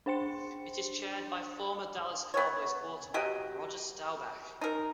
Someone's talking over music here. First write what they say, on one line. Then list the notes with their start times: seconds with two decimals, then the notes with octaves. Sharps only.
It is chaired by former Dallas Cowboys quarterback Roger Staubach.
0.06 D4 C5 G5 C6 C#7
2.34 B3 C#5
3.14 F#3 G4 D#5
4.61 D#4 A#4